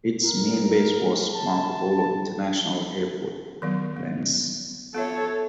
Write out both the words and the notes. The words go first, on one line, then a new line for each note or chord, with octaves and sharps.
Its main base was Marco Polo International Airport, Venice.
A#4
A5
D#3 F#3 B3
B3
B3 F4 A4 C#5 E5